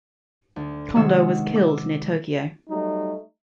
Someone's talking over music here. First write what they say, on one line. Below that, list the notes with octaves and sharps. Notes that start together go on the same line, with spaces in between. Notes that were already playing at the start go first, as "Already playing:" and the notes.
Kondo was killed near Tokyo.
D2
C3 D#3 G#3 F#4 E6 E7
D6 E6
F#3 G3 A3 D#4